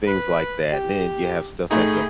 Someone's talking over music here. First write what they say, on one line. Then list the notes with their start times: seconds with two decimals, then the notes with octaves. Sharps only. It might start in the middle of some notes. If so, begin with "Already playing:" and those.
things like that. Then you have stuff that’s, uh
0.07 B4
0.72 G4
1.71 A2 A3 D#4 G#4